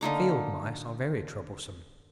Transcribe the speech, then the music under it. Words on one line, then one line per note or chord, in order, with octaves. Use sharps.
Field mice are very troublesome.
D3 A#3 D#4 D6